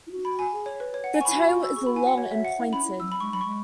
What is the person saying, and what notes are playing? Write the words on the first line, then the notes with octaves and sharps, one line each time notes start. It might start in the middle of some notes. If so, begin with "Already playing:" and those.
The tail is long and pointed.
E4
F#4
B5
G#5
G#4
C#5
B4
C#5
F#5
G#5
C#6
E4 B5
G#5
F#4 B5
C#6
E6
G#4 C#6
F#4 B5
E4 G#5
F#4 F#5
C#5
E5
F#5
E4
C#4 B5
E4
F#3 E6
B5
G#3 C#6
F#3 B5
G#3 C#6